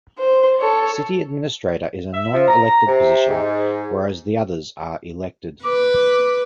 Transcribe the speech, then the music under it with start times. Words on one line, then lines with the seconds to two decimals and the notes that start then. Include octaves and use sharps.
City Administrator is a non-elected position, whereas the others are elected.
0.18 C5
0.59 A4 C#5
2.13 E5
2.33 F3
2.48 A#5
2.87 C3
3.29 G#2
5.64 B4 D6